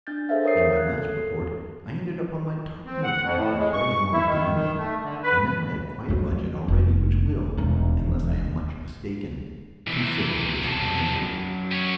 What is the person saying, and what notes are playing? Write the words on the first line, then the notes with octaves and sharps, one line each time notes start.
In my last report I ended upon my top note with Barrymore at the window, and now I have quite a budget already which will, unless I am much mistaken, considerably surprise you.
D4 F6 G6 A6
G#4 A4 C5 E5 F5
A#4 C#5 D#6 C7
F#6 G#6
A4
C4
F#5
F2
A2
G#3
C#6
E4
D#3
D#3
A3
D3
B4
F2 F#3
F1
E1 D#2
B1 C3 E3
F#2 A5
G4 C#5